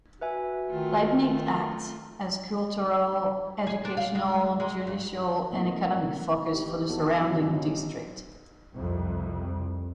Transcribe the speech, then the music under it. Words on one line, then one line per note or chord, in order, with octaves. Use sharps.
Leibnitz acts as a cultural, educational, judicial and economic focus for the surrounding district.
F#4 B4 E5 G#5
D#3 A3 F4
G#4
D4
F5
G#3
G#3
G2
A3 A#3 C4 E4 D#5
D#4 G4
B3 D#4 E4 F#4 A4 C#5
F#3 B3 C#4 E4 F#4
F#3 C#4 D#4 F4 G4
C2 F2